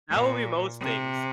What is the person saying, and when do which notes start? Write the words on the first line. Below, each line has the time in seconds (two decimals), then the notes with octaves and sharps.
that would be most things.
0.10 A#2
0.80 C3